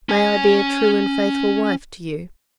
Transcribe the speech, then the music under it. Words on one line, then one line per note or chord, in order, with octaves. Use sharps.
"May I be a true and faithful wife to you."
C#4 G#5